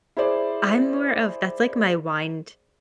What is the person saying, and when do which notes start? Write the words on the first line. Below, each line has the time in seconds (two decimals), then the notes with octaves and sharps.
I'm more of that's like my wind
0.17 E4 G#4 C5 D5